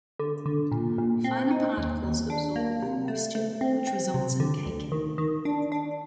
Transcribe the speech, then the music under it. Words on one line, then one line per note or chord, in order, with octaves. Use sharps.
Finer particles absorb more moisture, which results in caking.
D3
D3
A#2
A#2
C4
D#4
D#2
D#2
D4
A#3
C3
A3
A3
C4
C4
C3
D3
D2
D#3
D#3
D4
D4